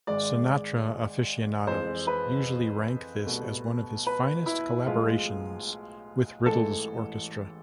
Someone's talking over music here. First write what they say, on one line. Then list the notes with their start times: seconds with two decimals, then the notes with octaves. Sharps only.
Sinatra aficionados usually rank this as one of his finest collaborations with Riddle's orchestra.
0.07 G#1 G#2 G#3 D5
1.67 F2 E3 G#3 C5
2.07 B4
3.26 C2 B2 A3
4.07 B4
4.46 E4
4.86 B1 A2 F3 G#3 F4
6.46 A1 G#2 E3 A4